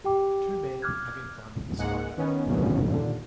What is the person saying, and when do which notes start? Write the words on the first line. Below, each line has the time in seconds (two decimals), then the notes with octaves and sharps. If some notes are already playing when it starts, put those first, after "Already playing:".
Two men having fun skydiving.
0.04 G4 G5 D6
0.82 D6 F6 F#6 G#6
1.77 C#2 G#2 G#3 A#3 F#5
2.17 D#3 B3 C#4
2.88 D#2 A#2 D3